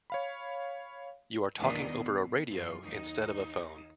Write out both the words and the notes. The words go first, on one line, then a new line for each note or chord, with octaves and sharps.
You are talking over a radio instead of a phone.
C#5 F5 B5
E2 A#2 D#3 D4 D#4 D#5
B2
F#2 F4
D#2 D#4